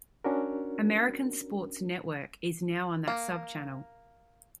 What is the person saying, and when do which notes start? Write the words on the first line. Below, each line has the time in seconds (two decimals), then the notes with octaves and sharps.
American Sports Network is now on that subchannel.
0.24 C#4 D4 F#4 A#4
3.08 A#3